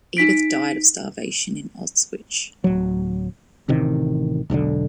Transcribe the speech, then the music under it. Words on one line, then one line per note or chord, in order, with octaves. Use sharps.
Edith died of starvation in Auschwitz.
D#4 B6 D7
D1 F#3
A1 C3 D#3
E1 B1 B2 D3